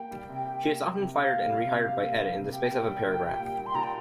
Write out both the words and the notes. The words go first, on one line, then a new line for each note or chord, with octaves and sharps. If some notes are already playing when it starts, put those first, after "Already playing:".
She is often fired and rehired by "Ed" in the space of a paragraph.
Already playing: A#3 G4 G5
G3
C3
G4
A#3
G3
C3
G4 F5
A#3
G3
C3
G4
A#3
G3
C3
G4 G5
A#3
G3
A#2
G4
A#3
G3
C6
A#2 A#5
G5